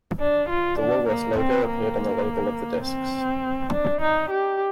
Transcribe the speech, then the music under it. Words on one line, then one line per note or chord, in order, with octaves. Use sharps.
The Woolworth's logo appeared on the label of the discs.
D4
F4
D4
A#3
C4
A#3
C4
D4
D#4
G4